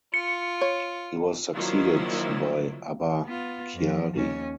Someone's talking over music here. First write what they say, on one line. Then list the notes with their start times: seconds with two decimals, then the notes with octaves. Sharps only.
He was succeeded by Abba Kyari.
0.14 F4 C#7
0.61 C#5
1.55 D#3 F3 F#3 A#3 D4 E4
3.25 B3 F4
3.75 F2 F3
4.14 D#2 C#4